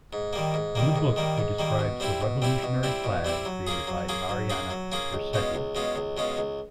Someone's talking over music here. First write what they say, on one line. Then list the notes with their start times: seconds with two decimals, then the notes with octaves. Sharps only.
In the book he describes the revolutionary flag created by Mariana Bracetti.
0.13 G#2
0.33 D#3 G3 A#3
0.54 G#2
0.75 D#3 G3 A#3
0.96 G#2
1.16 D#3 G3 A#3
1.38 G#2
1.59 D#3 G3 A#3
1.79 B2
2.00 G3 C4 E4 G4
2.21 B2
2.42 G3 C4 E4 G4
2.63 B2
2.83 G3 C4 E4 G4
3.04 B2
3.25 G3 C4 E4 G4
3.45 F#3
3.67 A#3 C#4 F4 G#4
3.87 F#3
4.09 A#3 C#4 F4 G#4
4.29 F#3
4.50 A#3 C#4 F4 G#4
4.70 F#3
4.92 A#3 C#4 F4 G#4
5.13 C#2
5.33 B2 G#3 C#4 F4
5.55 C#2
5.75 B2 G#3 C#4 F4
5.96 C#2
6.17 B2 G#3 C#4 F4
6.37 C#2